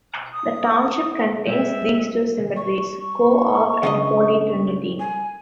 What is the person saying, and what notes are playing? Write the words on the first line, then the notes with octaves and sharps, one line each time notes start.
The township contains these two cemeteries: Co-op and Holy Trinity.
D#6
G3 G#3 C4 E5
C#6
C#2 G2 D#5
G#5